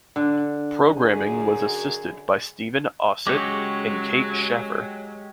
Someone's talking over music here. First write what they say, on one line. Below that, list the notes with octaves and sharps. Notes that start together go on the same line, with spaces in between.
Programming was assisted by Steven Osit and Kate Schaffer.
D3
F#2 G#4
C#3 F#3 G#3 G4 C#5 D6